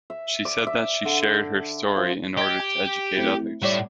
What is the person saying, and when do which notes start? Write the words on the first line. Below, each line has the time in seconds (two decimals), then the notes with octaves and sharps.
She said that she shared her story in order to educate others.
0.10 E5
0.45 D5
0.67 E5
1.05 D3
1.96 F3
2.37 G4 D#5 G#6
2.60 G5
3.17 A3 C4 E4
3.63 A2 G3 C#5 D5 E5